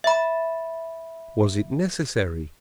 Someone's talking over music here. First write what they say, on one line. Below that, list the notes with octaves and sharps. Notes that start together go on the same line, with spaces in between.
Was it necessary?
E5 B5